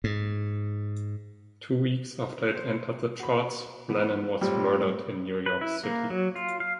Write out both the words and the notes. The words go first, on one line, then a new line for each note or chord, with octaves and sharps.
Two weeks after it entered the charts, Lennon was murdered in New York City.
G#2
C5
F#4 B5
E3 B3
A2 G3 C4 F4
B4
E4
A#3
F#3
F4
F5